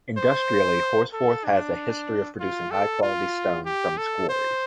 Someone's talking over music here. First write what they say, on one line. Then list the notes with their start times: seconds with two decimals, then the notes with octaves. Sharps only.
Industrially, Horsforth has a history of producing high quality stone from its quarries.
0.18 C5
1.13 A4
1.45 D4
2.40 F4
2.71 A4
3.03 F4
3.66 G4
3.98 A4
4.29 C5